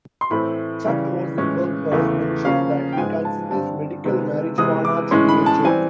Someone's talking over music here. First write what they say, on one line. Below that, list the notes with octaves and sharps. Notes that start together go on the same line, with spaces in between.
Chuck Rosenberg has mentioned that he considers medical marijuana to be a joke.
C6
A2 E3 A3 C4 B5
C#3 E3 G3
A2 E3 G#3 C#4
E2 C#3 E3 A3
C#3 F3 A#3 C#4 F5
G5
G#2 F3 G#3 B3 G#5
A5
G2 D3 G3 C4 A5
C3 D#3 G#3 B3
C3 E3 G#3 B3 D#6
D6
A2 E3 G#3 C#4 C6
B5
A5
E3 G3 C4 G#5